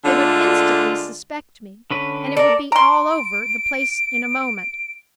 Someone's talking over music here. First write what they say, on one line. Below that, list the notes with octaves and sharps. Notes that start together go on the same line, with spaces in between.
They would instantly suspect me, and it would be all over the place in a moment.
D3 G#3 A3 D4 F4
D3 C#4 B4
A4 A#4 D5
A#5 C6 D7